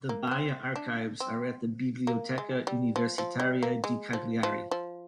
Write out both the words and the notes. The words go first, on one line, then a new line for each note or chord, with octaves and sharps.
The Baille archives are at the Biblioteca Universitaria di Cagliari.
A#3
C4
D4
C4
A#3
G#3
G3
F3
F3
G3
A#3
G#3
F3
F3
F3